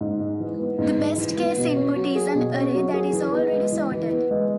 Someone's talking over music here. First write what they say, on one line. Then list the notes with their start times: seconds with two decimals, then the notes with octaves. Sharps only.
The best case input is an array that is already sorted.
0.01 G#2
0.20 G#3
0.40 E3
0.59 B3
0.79 G#2
0.98 G#3
1.18 E3
1.37 B3
1.57 B2
1.76 C#4
1.96 F#3
2.15 G#4
2.35 B2
2.54 C#4
2.74 F#3
2.94 G#4
3.13 E3
3.32 B3
3.53 G#3
3.72 E3
3.92 E3
4.11 B3
4.31 G#3